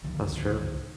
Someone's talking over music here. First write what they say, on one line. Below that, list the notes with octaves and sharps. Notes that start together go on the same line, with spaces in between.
That's true.
C#2 D3 D#3 F3